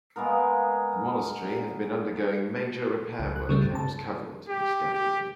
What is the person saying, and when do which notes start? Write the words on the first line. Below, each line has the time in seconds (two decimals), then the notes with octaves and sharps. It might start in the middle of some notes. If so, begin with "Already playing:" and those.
The monastery had been undergoing major repair work and was covered in scaffolding.
0.16 G#3 A#3 B3 A#4
3.19 C#2
3.36 F#6
3.49 C#3 G3 A3
3.64 G2 C3
3.75 A5
4.48 G4
4.93 G4